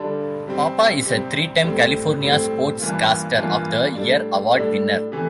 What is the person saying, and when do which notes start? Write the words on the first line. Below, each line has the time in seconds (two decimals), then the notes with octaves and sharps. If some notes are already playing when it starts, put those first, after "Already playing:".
Papa is a three-time California Sportscaster of the Year Award winner.
Already playing: G2 D3 G3 D4
0.47 C3 G3 C4
1.05 C3 G3 C4
1.63 A2 G3 C4
2.21 A2 G3 C4
2.79 G2 E3 A#3 F4
3.38 G2 E3 A#3 F4
3.95 A2 G3 D4
4.54 A2 G3 D4
5.12 C3 E3 A3